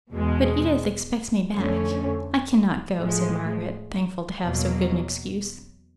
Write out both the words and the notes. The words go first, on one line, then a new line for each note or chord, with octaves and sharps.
'But Edith expects me back--I cannot go,' said Margaret, thankful to have so good an excuse.
E2 B2 G#3
F2 D3 F3 A3 C#4
A2 F3 G#3
E2 B2 F#3 A#3